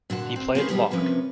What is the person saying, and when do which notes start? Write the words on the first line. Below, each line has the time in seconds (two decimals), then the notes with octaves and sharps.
He played lock.
0.10 A#2 D3 F#4 A5
0.36 C4
0.55 A#3 C4 C#4 D#4 G#4 B4
0.69 D#3 G3 B3 G#4
0.91 C3 F3 A#3 C#4 B4